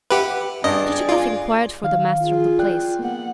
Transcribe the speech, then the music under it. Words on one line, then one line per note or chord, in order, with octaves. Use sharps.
Chichikov inquired for the master of the place.
G4 B4 E5 F#5
G2 G#4 D5 D#5
F4
D#3 F5
F4 G#4
D5 G5 F#6
A#3 B3 F#5